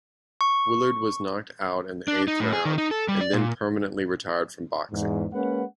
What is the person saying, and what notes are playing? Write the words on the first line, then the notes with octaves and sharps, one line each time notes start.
Willard was knocked out in the eighth round, and then permanently retired from boxing.
C#6
D4
D#4
A2
G#4
D#3
D#4
A4
G3
D5
A#2
E2 G#2
G#3 A#3 C#4 B4 F#5